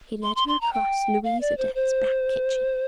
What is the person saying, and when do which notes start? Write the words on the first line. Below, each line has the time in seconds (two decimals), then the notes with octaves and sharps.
He led her across Louise Adet's back kitchen.
0.23 C6
0.36 C6
0.48 C6
0.61 A#5
0.73 G5
1.24 F5
1.41 D5
1.58 C5
1.75 C5